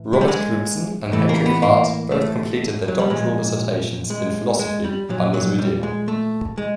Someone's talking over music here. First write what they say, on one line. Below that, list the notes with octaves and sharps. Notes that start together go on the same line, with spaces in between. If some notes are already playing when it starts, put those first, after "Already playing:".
Robert Knudsen and Hendrik Hart both completed their doctoral dissertations in philosophy under Zuidema.
Already playing: A2 E3
G#3
G3
G#3
A2 E3 A3
A#3
B3
A#3
A3
F#3
G3
A#2 F3 G#3
G#3
G#3
G3
A#2 F3 F#3
F#3
G3
G#3
A3
G#3